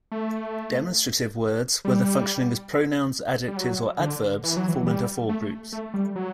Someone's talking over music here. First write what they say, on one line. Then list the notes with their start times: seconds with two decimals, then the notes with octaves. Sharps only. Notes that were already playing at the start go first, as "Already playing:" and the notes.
Demonstrative words, whether functioning as pronouns, adjectives or adverbs, fall into four groups.
0.12 A3
1.85 G3
3.48 G3
3.57 F#3
3.99 D3
4.44 E3
4.57 F#3
4.69 E3
4.86 G3
5.29 A3
5.72 A3
5.94 G3
6.16 F#3